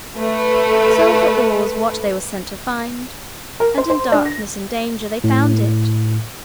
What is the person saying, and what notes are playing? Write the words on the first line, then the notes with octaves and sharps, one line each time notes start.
Silver ore was what they were sent to find, and in darkness and danger they found it.
A3 B4
A#4
C5
C5
D4
A#6
A2